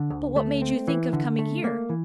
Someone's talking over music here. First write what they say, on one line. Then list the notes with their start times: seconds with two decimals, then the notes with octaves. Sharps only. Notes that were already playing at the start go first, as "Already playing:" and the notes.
"But what made you think of coming here?"
Already playing: D3
0.10 D2
0.36 A3
0.62 C4
0.88 E3
1.13 D3
1.39 A3
1.64 A#3
1.89 E3